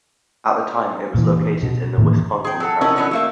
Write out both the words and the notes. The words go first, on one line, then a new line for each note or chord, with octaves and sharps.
At the time, it was located in the Wisconsin Territory.
A#2 E3
B2
A2 D#3 E3 A#3
G#4 G5
F#3 A4
B3 C#4 D#4 E4 A#4
E3 F#3 B3 C#4 D4
A3 A#3 E5